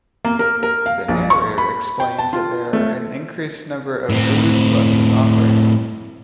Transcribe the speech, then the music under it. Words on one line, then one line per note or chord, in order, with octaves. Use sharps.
The narrator explains that there are an increased number of booze buses operating.
A#3
A#4
A#4
F5
A#1
C#6
B5
G5
A5
F4
A3
A2 C4